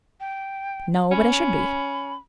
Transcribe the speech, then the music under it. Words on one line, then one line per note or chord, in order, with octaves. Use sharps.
"No--but I should be."
G5
C#4 B5